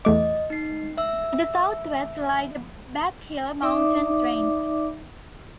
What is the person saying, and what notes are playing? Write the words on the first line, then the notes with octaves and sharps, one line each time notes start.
To the southwest lie the Black Hills mountain range.
E2 A3 D#5 D6
D#4 C7
E5 E6
D#4 D5 E5 D6